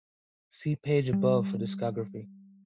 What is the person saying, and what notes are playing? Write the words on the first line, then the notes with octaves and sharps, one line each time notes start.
See page above for Discography.
G3